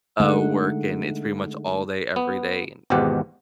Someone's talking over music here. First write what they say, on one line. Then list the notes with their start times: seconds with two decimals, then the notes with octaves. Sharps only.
uh, work, and it's pretty much all day, every day, and
0.20 D3 G#3 A3 D#4 F#5
2.16 B3
2.90 G#1 E2 G#2 B2 G4 F#5